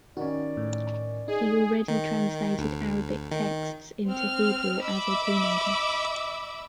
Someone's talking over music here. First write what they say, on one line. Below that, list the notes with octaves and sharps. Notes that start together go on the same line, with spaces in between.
He already translated Arabic texts into Hebrew as a teenager.
D#3 C#4 F#4 D5
A2
D#4 G#4
D#3
D2
D#3
C4 F6
D#5 E5 B5 D6 E6